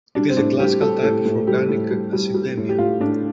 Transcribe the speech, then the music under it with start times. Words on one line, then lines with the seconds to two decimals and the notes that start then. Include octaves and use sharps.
It is a classical type of organic acidemia.
0.15 G3 D4
0.29 C4
0.37 A2 D4
0.60 G3 G4
0.81 G3 A4
1.03 A2 A4
1.25 A2
1.47 G3 G4
1.69 A2
1.90 G3
2.13 G3
2.34 G3
2.57 A2
2.69 G4
2.78 A2 F4
3.00 A2 D4